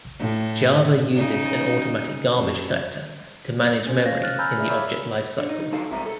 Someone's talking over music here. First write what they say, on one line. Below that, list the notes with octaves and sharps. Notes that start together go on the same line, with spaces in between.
Java uses an automatic garbage collector to manage memory in the object lifecycle.
A2
C#3 D#4
F#2
C#4 C5
C#5 F5 A#6
F6 F#6 A6
G#5 A#5 B5 E6 F6 G6
G#4 D5 E5
C#5 E5 F5 B5 D6 E6
D3
D#4
G#2 F#3 D#4 A4 F5
C#2 G2 C3 F3 E5 A#5
A4